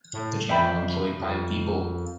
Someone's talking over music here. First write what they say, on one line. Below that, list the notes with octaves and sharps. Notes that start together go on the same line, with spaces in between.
The channel employed five people.
A2
F2 E5 G5 B5
F2